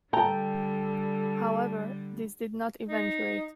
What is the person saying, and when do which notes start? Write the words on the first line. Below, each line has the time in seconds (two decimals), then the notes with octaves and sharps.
However, this did not eventuate.
0.13 D3 G3 A4 G5 A5 A#5
2.88 D#4